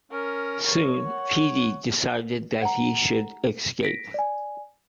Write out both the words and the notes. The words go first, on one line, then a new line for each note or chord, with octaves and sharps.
Soon, Petey decided that he should escape.
C#4 A#4
C#5
F#5
F#5 A#5
A#6 B6 D7
D5 G#5